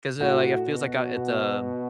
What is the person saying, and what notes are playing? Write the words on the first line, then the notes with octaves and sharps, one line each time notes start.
'cause, eh, like, it feels like, uh it's um
A2 F#4
B2
B2